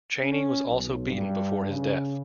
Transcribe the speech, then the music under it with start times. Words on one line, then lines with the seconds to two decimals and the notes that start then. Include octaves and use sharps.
Chaney was also beaten before his death.
0.22 C#4
0.68 B1
1.08 G2
1.69 C#3